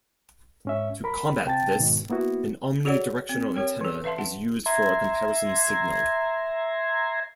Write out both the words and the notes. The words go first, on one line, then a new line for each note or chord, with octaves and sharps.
To combat this, an omnidirectional antenna is used for a comparison signal.
G#2 C#4 E5
A#4 B5
C3 G5 A5 A6
G#2 B2 D#3
A#3 B3 E4 F#4
F#4 G#4 A4 C#5 D5 F#5
C4
G4 A#4 C#5 G5
E3 A4
B4 E5 F5 A5 C6
F#5 A5
E5 A#5 C6 G#6